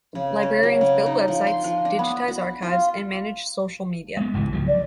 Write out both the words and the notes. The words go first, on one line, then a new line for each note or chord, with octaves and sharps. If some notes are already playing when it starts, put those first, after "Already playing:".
Librarians build websites, digitize archives, and manage social media.
C#3
C#4
F#3
C#3
D#4
F3
C6
F3
D4
B3
F#4
F4
G#3 B3
G#1 C#2 E3
C#2 F3 F#3
D5